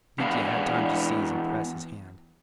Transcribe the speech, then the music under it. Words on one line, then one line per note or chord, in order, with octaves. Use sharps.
Mitya had time to seize and press his hand.
E2 G#3 B3 D4 F5 A5